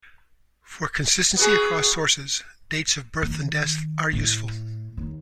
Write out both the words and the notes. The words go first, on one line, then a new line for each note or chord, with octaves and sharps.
For consistency across sources, dates of birth and death are useful.
B3 F#4 G#4
D#3
A2
D#2